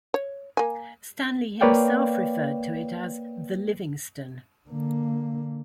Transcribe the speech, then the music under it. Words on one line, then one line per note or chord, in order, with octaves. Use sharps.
Stanley himself referred to it as the Livingstone.
C#5
A#3 G#5
A#3 B4 C#5 D5 F5 G5
D3 A#3